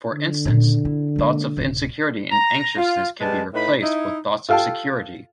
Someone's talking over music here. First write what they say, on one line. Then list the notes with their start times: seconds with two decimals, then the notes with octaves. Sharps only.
For instance, thoughts of insecurity and anxiousness can be replaced with thoughts of security.
0.13 D3
0.45 A#2 C#3
0.85 E4
1.16 G#3 A#3
1.57 D1 C3
2.31 A#5
2.76 F4
3.19 G3 G#3 B4 A5
3.52 A2 D#4 B4 B5
3.82 D#4 E4
4.49 F4 A4 F5 G5 A5